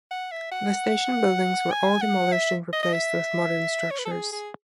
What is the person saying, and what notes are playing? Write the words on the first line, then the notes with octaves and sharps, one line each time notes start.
The station buildings were all demolished and replaced with modern structures.
F#5
E5
F#5
G#5
F#5
E5
D#5
D#5
E5
C#5
B4
A4
G#4
G#4